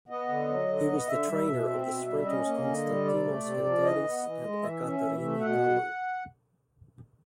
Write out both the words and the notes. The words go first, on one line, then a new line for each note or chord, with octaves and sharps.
He was the trainer of the sprinters Konstantinos Kenteris and Ekaterini Thanou.
B3 D#5
D3
F#3
D3
B3
D3 E5
G3
B2
C4
B2
G3
C#4 D#5
A#3
D3
G3
C3 D5
A3
C3
F3
E3 D#5
B3
E3
G#3
E3 E5
C#4
E3
A3
B2 F#5